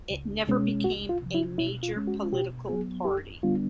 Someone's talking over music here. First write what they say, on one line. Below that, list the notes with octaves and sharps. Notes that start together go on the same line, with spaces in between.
It never became a major political party.
C#2
B2 G#3 C#4
C2 F#4
F4
C3 F3
E4
B2 E4
F4
G#3 C#4
F#4
B2 G4
F#3 B3 G#4
F#2 G4
D3 G3 B3 D4 F4